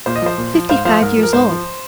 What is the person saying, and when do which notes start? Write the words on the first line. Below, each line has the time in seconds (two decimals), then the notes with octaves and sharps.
"Fifty-five years old."
0.06 A#2 C5
0.16 D#5
0.22 F3 C5
0.38 A#2
0.54 F3
0.69 G#2 C5 F5
0.85 F3 C5 F5
1.01 G#2 A#4
1.17 F3
1.23 A#4
1.33 G#2 C5
1.49 F3